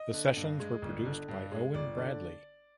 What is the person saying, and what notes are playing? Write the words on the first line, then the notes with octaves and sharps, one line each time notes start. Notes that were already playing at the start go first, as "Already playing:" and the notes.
The sessions were produced by Owen Bradley.
Already playing: D#5
D3
G2
G#3
G1
D3
G2
G#3
G1 D5
D3